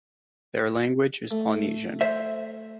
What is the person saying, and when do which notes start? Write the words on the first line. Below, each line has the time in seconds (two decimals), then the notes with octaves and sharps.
Their language is Polynesian.
1.31 A3
2.01 C5 E5